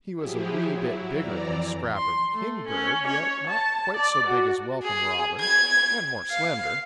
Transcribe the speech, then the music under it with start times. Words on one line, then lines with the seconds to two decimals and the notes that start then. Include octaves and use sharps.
He was a wee bit bigger than Scrapper the Kingbird, yet not quite so big as Welcome Robin, and more slender.
0.16 F3 F#3 E4 G4 G#4
0.68 F#3 E4
1.13 F2 E3 D5 A#5
1.96 C6
2.34 A3
2.67 C#4
3.07 C#5
3.47 A5
3.97 D5
4.27 F#4
4.84 G#4
5.40 G#6
6.30 F5